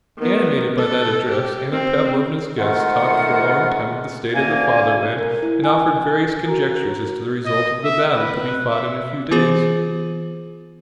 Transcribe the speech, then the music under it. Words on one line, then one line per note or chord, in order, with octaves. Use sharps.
Animated by that address Anna Pavlovna's guests talked for a long time of the state of the fatherland and offered various conjectures as to the result of the battle to be fought in a few days.
D#3 B3
A4
G4
C4
F2 G#2 D#3 A3 F4 F#5
D2 A#3 G#5
A#4
E4
G#5
G#5
F#4 A#4
D#5
E5
B4
E5
E3 B3 F4 G#4 C5